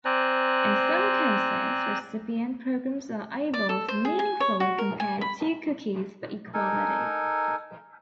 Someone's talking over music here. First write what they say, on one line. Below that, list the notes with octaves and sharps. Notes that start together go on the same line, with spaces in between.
In some cases, recipient programs are able to meaningfully compare two cookies for equality.
C4 C5 D5 G#5 A#5 F#6
D5
A4
C5
G#4
G#5
C#5
F#4
A#4
G#5
B5
D#4 A4 A#4 G#5